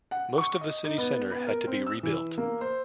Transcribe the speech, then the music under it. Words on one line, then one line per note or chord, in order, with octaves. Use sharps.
Most of the city centre had to be rebuilt.
F#5
C#6
D#5
D#4
B3
B3
A#4
C4
E6
E3
A#3
C5